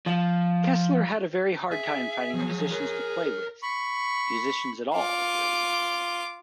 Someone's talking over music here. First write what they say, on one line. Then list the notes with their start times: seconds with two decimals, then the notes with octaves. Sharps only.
Kessler had a very hard time finding musicians to play with-musicians at all, really.
0.06 F3
1.72 G#4 E5
2.34 F3 F#3
2.72 A#4 C#5
3.63 B5 C#6
4.95 F4 D6